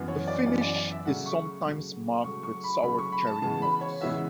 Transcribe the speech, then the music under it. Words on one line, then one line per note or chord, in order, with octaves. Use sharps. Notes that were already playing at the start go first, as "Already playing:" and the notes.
The finish is sometimes marked with sour-cherry notes.
Already playing: F#2 E3 B3
C#5
D5
F#2 E3 B3 D5
D5
D5
E5
C#3 F#3 A3 F#5
C#6
C#3 F#3 A3
C#3 F#3 A3 C#6
C#6
B5
C#3 F#3 A3 B5
C#6
B5
A5
C#3 E3 G#3 B3 A5
B5
C#5
C#3 E3 G#3 B3 E5